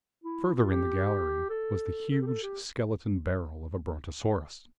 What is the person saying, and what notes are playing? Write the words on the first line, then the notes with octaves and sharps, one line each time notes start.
Further in the gallery was the huge skeleton barrel of a Brontosaurus.
E4
F4
G4
A4
A4
G4
A4
G4